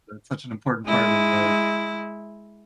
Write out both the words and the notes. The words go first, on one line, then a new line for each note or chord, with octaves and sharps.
that's such an important part of, uh
G#3 E4